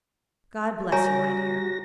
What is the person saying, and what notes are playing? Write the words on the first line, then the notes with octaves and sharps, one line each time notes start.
God bless you, my dear!
G3 F#4 C#5 G#5 A#5 A#6